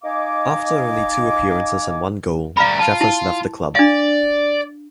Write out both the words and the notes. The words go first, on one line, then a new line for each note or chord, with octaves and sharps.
After only two appearances and one goal, Jeffers left the club.
D#4 D#5 F5 G#5 D6
G3 A#4 F5 A#5 B5
F4 A5
E4 A5
D4 D5 F5